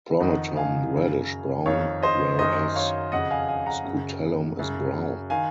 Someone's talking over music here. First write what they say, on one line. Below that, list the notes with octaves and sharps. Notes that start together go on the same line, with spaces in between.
Pronotum reddish brown whereas scutellum is brown.
F2 D#3 D#5 F#5
F5 G#5
F#2 C#3
F2 D#3 C#5 F5
C5 D#5
F#2 D#3 C5 D#5
C#5 F5
F2 C#3 D#5 F#5
F5 G#5
F5 G#5
F#5 A#5
F#2 C#3
F#2 C#3
D#3 F5 G#5